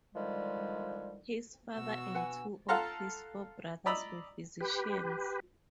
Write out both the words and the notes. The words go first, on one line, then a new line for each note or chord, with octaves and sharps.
His father and two of his four brothers were physicians.
D3 D#3 F3 G3 G#3
B2 F#4 E6
B4 F#5 G#5
F4 A4 F5 F#5 A#5 C6
D5 D#5 A#5 B5 E6
G4 B4